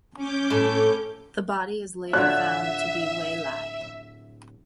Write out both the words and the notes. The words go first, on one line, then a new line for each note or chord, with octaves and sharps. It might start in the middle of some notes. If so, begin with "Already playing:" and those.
The body is later found to be Wei Lai.
C#4 D6 G6
A2
D1 D3 F4 C#5 E5 F#6